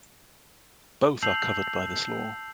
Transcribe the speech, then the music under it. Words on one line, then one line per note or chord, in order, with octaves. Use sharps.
Both are covered by this law.
A5 E6 G6 C7 F7 F#7